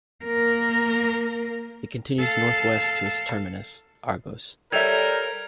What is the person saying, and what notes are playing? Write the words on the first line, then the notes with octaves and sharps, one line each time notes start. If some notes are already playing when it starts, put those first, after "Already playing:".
It continues northwest to its terminus, Argos.
A#3 A#4
A4 F5
G3 A4 A#4 C#5 E5 G#6 F7